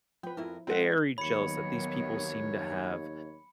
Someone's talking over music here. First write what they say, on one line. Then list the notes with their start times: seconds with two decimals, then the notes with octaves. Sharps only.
very jealous that these people seem to have,
0.23 F3 B4 G5
0.37 F2 F3 E4 A#4
0.67 G#3 C4 F#5
1.18 D#2 D#3 F#3 B3 C#5 B5 C#7